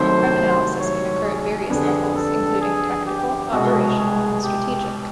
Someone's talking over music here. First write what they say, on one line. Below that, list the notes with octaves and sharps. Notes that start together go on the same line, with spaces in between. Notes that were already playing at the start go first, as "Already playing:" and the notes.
Crime analysis can occur at various levels, including tactical, operational, and strategic.
Already playing: C2 C3 D#3 F#3 A3 C5
C#5
G#4
F2 D3 G3 B3 D4 G#4
A4
G#4
G4
C2 B2 G#3 F#4
G#4
G4